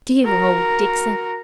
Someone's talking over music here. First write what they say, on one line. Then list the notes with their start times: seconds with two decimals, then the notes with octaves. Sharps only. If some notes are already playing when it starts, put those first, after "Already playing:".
'Dear old Dixon!
0.23 F#4 A#4